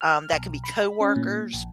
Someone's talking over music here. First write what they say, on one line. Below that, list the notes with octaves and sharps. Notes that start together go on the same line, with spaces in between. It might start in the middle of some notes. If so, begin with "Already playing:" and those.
um, that can be coworkers.
F6
B1
B5
C#4
A#2
A#1